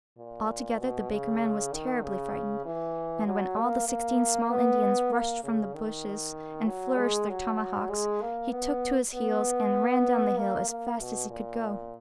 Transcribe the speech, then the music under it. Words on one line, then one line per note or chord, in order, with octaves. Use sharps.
Altogether, the baker-man was terribly frightened; and when all the sixteen small Indians rushed from the bushes and flourished their tomahawks, he took to his heels and ran down the hill as fast as he could go!
A#2
B2
C#3
D#3
C#3
E3
F#3
A#3
A#3
B3
A#3
C#3
D#3
F#3
G#3
F#3
G#3
A#3
B3
B3
A#3
A#3
B2
A#2